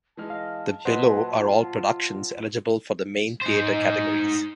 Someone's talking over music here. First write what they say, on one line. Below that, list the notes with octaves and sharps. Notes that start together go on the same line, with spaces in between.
The below are all productions eligible for the main theatre categories.
E3 G#3 A5 F6
D#5 F5
A#2 F#3 B4 C5 D#5 F#5 C6
F4
D#4 C5